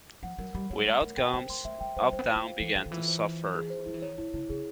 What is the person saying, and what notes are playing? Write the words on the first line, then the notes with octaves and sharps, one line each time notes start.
Without Combs, Uptown began to suffer.
F3 F#5
F#3 A#4
G3 B5
G3 C#5
G#3 F#5
A3 A#4
B3 G5
A#3 C5
A#3 C6
A3 E5
G#3 G5
G3 C5
G#3 C5
B3
A#3
F4
A#3
F5
E3 A4
F3 C5
D#3
E3 F4
C5
E4
E5
G#4
C5
F3 E4
E3
D#3 C#5
D3 E4
C#3 E4
C#3 G#4